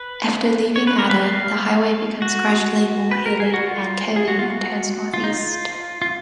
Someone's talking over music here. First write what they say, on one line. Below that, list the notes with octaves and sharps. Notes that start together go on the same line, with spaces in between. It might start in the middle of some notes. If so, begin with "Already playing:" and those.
After leaving Ada the highway becomes gradually more hilly and curvy, and turns northeast.
Already playing: B4
C#5
B4
A#4
B4
F5
F#4
B4
A#4
G#4
F#4
F4
G#4
F#4
F4
F#4
F4
D#4
F4
F4